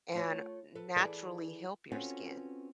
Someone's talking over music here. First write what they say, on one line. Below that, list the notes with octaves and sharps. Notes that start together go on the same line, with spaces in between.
and naturally help your skin.
A3 F4 C#5
A4 B4
E3 E4 G#4 A4 B4 D5
C4 C#4 F4 F#4 A4 B4